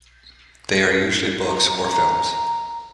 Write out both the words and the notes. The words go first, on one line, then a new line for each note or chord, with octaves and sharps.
They are usually books or films.
A#5